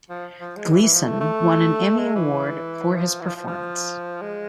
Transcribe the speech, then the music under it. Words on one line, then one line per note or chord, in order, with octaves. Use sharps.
Gleeson won an Emmy Award for his performance.
F3
F3
G#3
E3
E3
F3
A3
A3
G#3
E3
F3
E3
F3
F3
F3
G#3